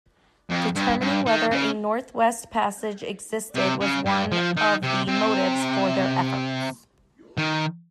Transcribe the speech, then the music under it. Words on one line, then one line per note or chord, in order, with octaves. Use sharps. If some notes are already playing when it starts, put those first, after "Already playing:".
Determining whether a Northwest Passage existed was one of the motives for their efforts.
F2
G2
G2
D#3
C#3
C3
C#3
G2
F3
D#3
C3
C3
D#3